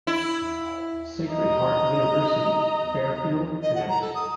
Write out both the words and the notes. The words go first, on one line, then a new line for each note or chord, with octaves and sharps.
Sacred Heart University, Fairfield, Connecticut.
E4
D#5 A#5
D#5
F#5
A#5
A4
D#6